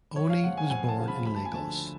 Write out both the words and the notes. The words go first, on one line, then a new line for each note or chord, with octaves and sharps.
Oni was born in Lagos.
F2 C#5
F5
C#3 F3 F#5
G#5
F#5
F2 G#5
A5
C#3 F3
B5
D2 B5
A5
G#5
D3 F3 A5